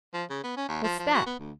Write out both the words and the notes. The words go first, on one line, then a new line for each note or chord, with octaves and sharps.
"What's that?"
F3
C#3
B3
C#4
D#2
F3
F3
F#4
B3
D2